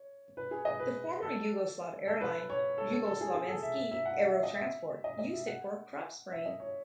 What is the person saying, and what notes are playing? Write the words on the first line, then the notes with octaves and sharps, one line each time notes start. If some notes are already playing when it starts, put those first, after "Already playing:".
The former Yugoslav Airline, Jugoslovenski Aerotransport, used it for cropspraying.
Already playing: C#5
B4
G#4
D#5
B4
A4
A4
B4
C#5
A4
A4
A4
G#4
G#4
A4
E5
E5
E5
F#5
F#5
E5
D#5
E5
D#5
D#5
E5
F#5
E5
D#5
C#5